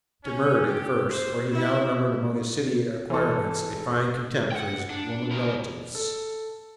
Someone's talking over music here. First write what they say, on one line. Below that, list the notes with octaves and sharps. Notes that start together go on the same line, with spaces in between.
He demurred at first, for he now numbered among his city acquirements a fine contempt for his woman relatives.
C#4
G4
C5
E4
E3 A4
F#5 G5
D4
E4 A#4
A4